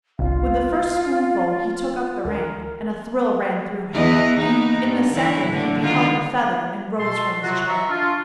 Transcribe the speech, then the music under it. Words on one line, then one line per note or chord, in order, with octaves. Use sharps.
With the first spoonful he took up the ring, and a thrill ran through him; in the second he beheld the feather and rose from his chair.
G1 C2 F4 F5
D2 A#4
E2 E3 D#5
A#3 B3 D#4
G2
D3 E3 E4
A2 D3
D3 D#3 F4
B2 A4 C6
C3 F#3 F4 F#4
D#5 E5 A#5 C#6
D4 F4